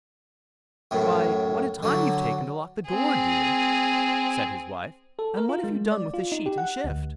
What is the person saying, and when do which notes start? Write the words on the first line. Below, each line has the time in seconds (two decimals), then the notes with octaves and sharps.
'Why! what a time you've taken to lock the door, dear!' said his wife; 'and what have you done with the sheet and shift?'
0.91 F#2 A2
1.83 D3 F#3
2.88 C4 G#4
5.19 A4
5.37 A#4
5.49 F4
5.64 G#3
5.92 D5
6.14 F4
6.32 D#4
6.46 G4
6.58 F#5
6.84 D2